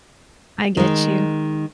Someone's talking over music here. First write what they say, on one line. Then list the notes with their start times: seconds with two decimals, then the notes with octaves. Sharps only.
I get you.
0.77 D#3 G#3